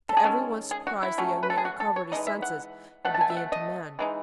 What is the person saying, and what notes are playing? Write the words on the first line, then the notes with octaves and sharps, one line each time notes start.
To everybody's surprise the young man recovered his senses and began to mend.
A4
G#4
D#3 G#3 C#4 A4
G#4
F#4
E4
F#3 A3 C#4
B4
A4
G#4
F#4
A4
C#5
E3 G#3 D#4 D#5
E5
F#5
B2 A3 F#5
A5
G#5
E5
F#5
D#5
E3 G#3 D#4